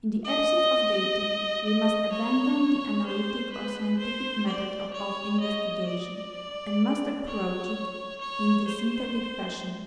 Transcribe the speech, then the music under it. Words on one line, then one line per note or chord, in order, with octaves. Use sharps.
In the absence of data we must abandon the analytic or scientific method of investigation, and must approach it in the synthetic fashion.
D#5
D#5
C#5
C5
B4
C5
D5
C#5
D#5
D5
C#5
C#5
C5